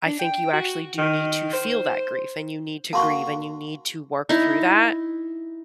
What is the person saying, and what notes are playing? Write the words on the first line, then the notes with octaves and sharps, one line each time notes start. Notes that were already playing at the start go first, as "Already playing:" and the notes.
I think you actually do need to feel that grief, and you need to grieve, and you need to work through that.
D4
G5
F#4
D#3
C5
A#3 F#4 F#5 A5 C6 C#6
D#4 E4